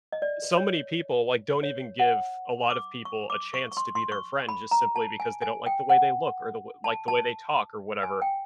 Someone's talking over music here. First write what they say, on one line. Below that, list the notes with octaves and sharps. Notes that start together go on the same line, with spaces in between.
so many people, like, don't even give a lot of people a chance to be their friend, just simply because they don't like the way they look or the w like the way they talk, or whatever,
D#5
D5
C#5
C#5
F#5
D6
C#6
D6
C#6
C#6
C6
C6
C#6
B5
A#5
A5
G#5
G#5
G5
F#5
A5
A5
G#5
G5